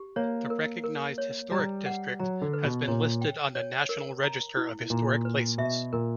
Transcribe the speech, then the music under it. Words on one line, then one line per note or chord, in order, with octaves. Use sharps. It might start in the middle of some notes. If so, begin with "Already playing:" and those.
The recognized Historic District has been listed on the National Register of Historic Places.
Already playing: G4
A#3 C#5
A#4
A#4
C#5
G3 A#5
F#5
F#3 A#5
D3
B4
B2
A#2 C#5
G5
C#5
A#4
A#5
E4
A#2 A#5
B4
B2 E5
A#2 A#4